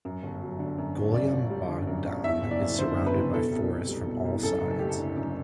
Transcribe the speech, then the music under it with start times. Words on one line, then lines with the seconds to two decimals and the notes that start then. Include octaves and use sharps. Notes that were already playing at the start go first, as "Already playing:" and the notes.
Golyam Bogdan is surrounded by forests from all sides.
0.05 F#2
0.23 G1
0.42 F#3
0.59 D3
0.78 F#2
0.96 G1
1.14 F#2 D5
1.32 G1
1.50 G3
1.69 D3
1.87 F#2
2.05 G1
2.24 E2 E5
2.42 F#1
2.51 D5
2.61 F#1
2.79 D3 C5
2.96 E2
3.06 B4
3.15 F#1
3.33 B2 A4
3.52 C2
3.70 C2
3.88 G3
4.06 B2
4.25 C2
4.43 F#2 A4
4.60 F#1
4.71 A4
4.79 A3 G4
4.89 A4
4.97 D3
5.16 F#2